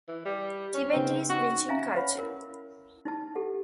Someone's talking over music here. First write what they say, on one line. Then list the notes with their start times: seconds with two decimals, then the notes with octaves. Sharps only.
Tibet is rich in culture.
0.08 E3
0.25 G3
0.73 C#4
0.93 C#3 B3 C4 D#4
1.29 D#4 F#4
1.68 C#4 E5 F5 G#5 A#5
1.95 B4 C#5 F5 F#5 B5
2.18 E4 A#4
3.05 D#4 E4 A5
3.35 G4 A4 F#5